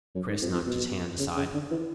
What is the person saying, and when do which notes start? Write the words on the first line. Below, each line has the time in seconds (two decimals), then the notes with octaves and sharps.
Chris knocked his hand aside.
0.15 F#2
0.28 G#2
0.41 F2
0.54 F2
0.67 B2
1.19 C#3
1.36 C#3
1.54 D3
1.71 E3